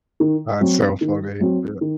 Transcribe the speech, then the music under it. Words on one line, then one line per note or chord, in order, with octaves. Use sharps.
That's so funny, yeah.
D#3
F#3 C4 F#4
D#3
F#3 C4 F#4
D#3